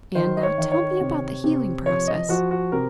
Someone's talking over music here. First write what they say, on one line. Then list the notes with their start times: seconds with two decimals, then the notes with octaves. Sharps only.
"And now tell me about the healing process."
0.15 D#3 C5
0.37 D#5
0.43 C#5
0.58 D#3
0.72 C#5
1.01 C3
1.44 C3
1.86 F3 C#5
2.08 D#5
2.29 F3 F#4
2.51 F#4
2.72 C3 A#4